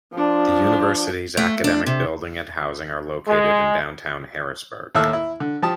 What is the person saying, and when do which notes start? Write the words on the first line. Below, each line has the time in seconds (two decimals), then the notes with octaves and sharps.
The university's academic building and housing are located in downtown Harrisburg.
0.14 F3 D4
1.37 A3
1.64 D4
1.86 C3
3.27 G#3
4.95 D#2 A2 A4 E5 F6 F#6
5.13 E4
5.40 D3
5.62 F3 G4 A5 D#6